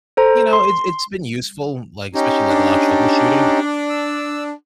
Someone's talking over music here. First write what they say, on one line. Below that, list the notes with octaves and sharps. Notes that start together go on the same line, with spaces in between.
you know, it's it's been useful, like, especially, like, a lot of troubleshooting,
A4 C5 A#5
C6
C#4 D#4 G4
D4
E6